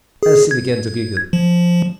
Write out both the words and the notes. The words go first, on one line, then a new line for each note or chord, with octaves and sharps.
Elsie began to giggle.
G#4
G#6
F3